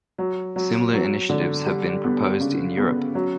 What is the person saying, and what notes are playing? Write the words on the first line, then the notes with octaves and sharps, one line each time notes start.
Similar initiatives have been proposed in Europe.
F#3
F#3
F#3
D3
G3
B3
C#3
B3
F#3